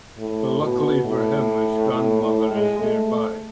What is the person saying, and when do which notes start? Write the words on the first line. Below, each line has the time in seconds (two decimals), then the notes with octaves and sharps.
But luckily for him his grandmother is nearby.
0.18 A2
0.61 B2
1.05 A2
1.91 A2
2.22 A2
2.51 G#3
2.79 A3